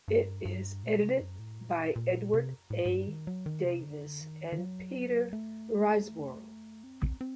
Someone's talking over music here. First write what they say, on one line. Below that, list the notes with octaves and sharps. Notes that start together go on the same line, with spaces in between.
It is edited by Edward A. Davis and Peter Riseborough.
G2
G2
A#2
C3
F#2
A2
A#2
A#2
C3
A2
A2
G2
D#3
F#3
D#3
C3
D3
D#3
D#3
F#3
A3
C4
C4